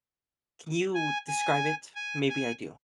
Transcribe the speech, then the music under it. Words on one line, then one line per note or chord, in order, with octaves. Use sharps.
Can you describe it? Maybe I do.
G#5
G#5
G#5
G#5